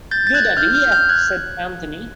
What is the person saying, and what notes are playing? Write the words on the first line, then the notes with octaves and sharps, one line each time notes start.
"Good idea," said Anthony.
G6 A6
A6
F#6 G#6
F6 G6
F6 G6
F6 G6
F#6 G#6